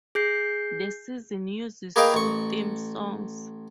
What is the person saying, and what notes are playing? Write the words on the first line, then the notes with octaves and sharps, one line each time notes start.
The season uses two theme songs.
G#4 G6 C7
A#3 G#4 B4 D#5 F5 G5
A1 C#6